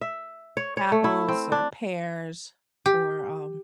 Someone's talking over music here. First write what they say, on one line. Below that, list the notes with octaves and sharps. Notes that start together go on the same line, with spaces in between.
apples, or pears, or, um
E5
C#5
C#5
A3
E4
C4
D4
G4